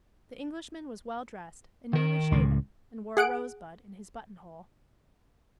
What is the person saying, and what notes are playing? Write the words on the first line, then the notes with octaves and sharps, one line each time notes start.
The Englishman was well dressed, and newly shaven, and wore a rosebud in his buttonhole.
D#3 A#4
C#2 A2
G#4 F#5 F#6 D7